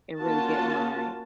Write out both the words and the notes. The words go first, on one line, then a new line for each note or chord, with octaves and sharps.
and really get my
A#3 C#4 F4 F#4 A5